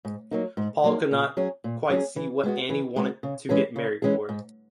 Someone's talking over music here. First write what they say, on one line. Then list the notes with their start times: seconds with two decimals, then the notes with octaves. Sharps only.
Paul could not quite see what Annie wanted to get married for.
0.05 G#2
0.31 F#3 A#3 D#4
0.57 G#2
0.84 F#3 A#3 D#4
1.11 A#2
1.37 F#3 C#4 G#4
1.64 A#2
1.90 F#3 C#4 G#4
2.16 E3
2.43 G#3 B3 F#4
2.70 E3
2.96 G#3 B3 F#4
3.23 C#3
3.49 E3 G#3 C#4 G#4
3.76 C#3
4.02 E3 G#3 C#4 G#4
4.29 G#2